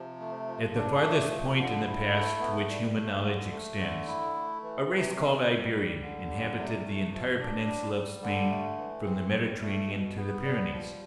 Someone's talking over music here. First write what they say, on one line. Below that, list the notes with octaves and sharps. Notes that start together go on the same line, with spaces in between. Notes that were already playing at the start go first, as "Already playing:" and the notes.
At the farthest point in the past to which human knowledge extends a race called Iberian inhabited the entire peninsula of Spain, from the Mediterranean to the Pyrenees.
Already playing: C3 F3
A3
F3
D4
A3
F3
D3
E4
A3
B3
G3
A3
D3
A3
D3
E4
A3
E3
C3
C4
G3
G3
D3
G3
C3
A3
F3
D4
G3
G3
D3
A3
E3
C4
G3
A3
B2
B3
G3
F3